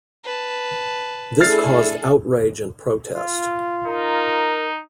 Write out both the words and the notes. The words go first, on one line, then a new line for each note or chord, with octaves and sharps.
This caused outrage and protest.
B4 A5
A3 D4 E4 G#4 A4 F6 A6 C7
F4
D#4 A#4